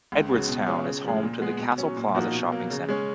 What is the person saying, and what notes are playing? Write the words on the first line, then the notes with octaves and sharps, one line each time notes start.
Edwardstown is home to the Castle Plaza Shopping Centre.
C#2
C#3 F#3 B3
B2
G#3 C#4 F4 G#4
C#3
F3 G#3
A#2
G#3 B3
B2
F#3 C#4
A#2
F3 A#3 D#4 F#4
B2
F#3 A#3
C#3
G#3 C#4